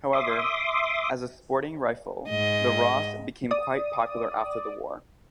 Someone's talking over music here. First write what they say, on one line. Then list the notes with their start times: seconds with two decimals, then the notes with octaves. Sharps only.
However, as a sporting rifle, the Ross became quite popular after the war.
0.13 E5 C6 D6 D#6
2.29 G#2 D#5
3.51 D5 D#6